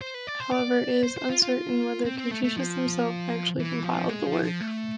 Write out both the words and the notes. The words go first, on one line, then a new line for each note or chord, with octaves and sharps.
However, it is uncertain whether Confucius himself actually compiled the work.
C5
B4
D5
C5
D5
C5
C5
F4
F4
C4
C4
A3
A3
F3
E3
F3
G#3
F3
F3
A3